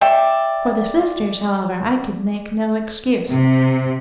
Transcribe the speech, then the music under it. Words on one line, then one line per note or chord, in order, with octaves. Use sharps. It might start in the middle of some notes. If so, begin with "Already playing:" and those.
For the sisters, however, I could make no excuse.
D5 E5 G5
C3